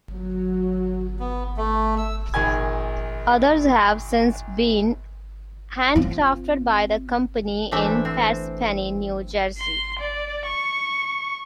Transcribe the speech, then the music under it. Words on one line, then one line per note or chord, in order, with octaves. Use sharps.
Others have since been handcrafted by the company in Parsippany, New Jersey.
F#3
B3
A3
E6
A#1 D#3 G#5 G#6
C4 F4
E3 A3 C4 D4 E5
C4
C6
D5
C#6